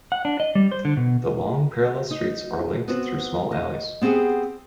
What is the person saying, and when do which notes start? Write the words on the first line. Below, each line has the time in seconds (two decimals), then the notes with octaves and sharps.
The long parallel streets are linked through small alleys.
0.12 F#5
0.25 D4
0.40 D#5
0.55 G3
0.71 C5
0.85 D3
0.97 B2
2.11 D#4
2.88 B3 C4 F#4
3.51 D#5
4.02 B3 C4 G4 G#4 F#5